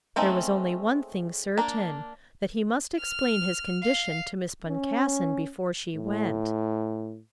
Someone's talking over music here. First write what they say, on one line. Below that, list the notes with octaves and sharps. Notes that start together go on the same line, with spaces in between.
There was only one thing certain,--that he must explain his condition to Miss Boncassen before she went.
G#3 A3 C4 C#4 D#4
A#3 D4
F6
F5
C#4
A2